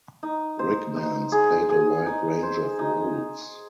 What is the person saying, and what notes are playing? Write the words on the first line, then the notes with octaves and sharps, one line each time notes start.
Rickman's played a wide range of roles.
D#4
C5
D#4
G#4
G#4
D#4
C5
D#4